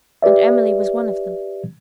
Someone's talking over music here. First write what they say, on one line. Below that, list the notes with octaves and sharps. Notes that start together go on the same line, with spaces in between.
And Emily was one of them.
G4 B4 D5 E5